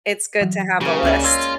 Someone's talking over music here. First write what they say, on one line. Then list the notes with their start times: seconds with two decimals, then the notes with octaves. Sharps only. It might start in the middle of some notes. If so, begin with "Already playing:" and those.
it's good to have a list.
0.41 E3 F#3
0.81 C#3 A#3 G4
1.03 C#2 G#3 C#4 D5
1.24 F4 E6 G#6 A#6